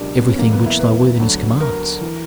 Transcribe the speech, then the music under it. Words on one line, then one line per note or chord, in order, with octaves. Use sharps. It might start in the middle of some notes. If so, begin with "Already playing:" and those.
"Everything which thy worthiness commands."
Already playing: C#2 B2 F#3 D4 G4 A#4
B3
C#4
E2 B2 F#3 A#3
B3
E4
B4
D2 D3 F#3
A#4
E3